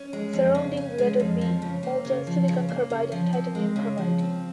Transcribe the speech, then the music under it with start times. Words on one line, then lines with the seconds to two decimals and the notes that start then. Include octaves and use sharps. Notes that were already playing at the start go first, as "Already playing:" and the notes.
Surrounding that would be molten silicon carbide and titanium carbide.
Already playing: C#4
0.13 G#3
0.33 F2
0.55 C#3
0.77 C#4
0.98 G#3
1.20 F2
1.41 F3
1.62 C#3
1.83 A#3
2.05 C#3
2.27 F3
2.48 C#3
2.69 A#3
2.90 C#3
3.12 F3
3.33 C4
3.55 G#3
3.76 C#3
3.98 F3
4.19 C4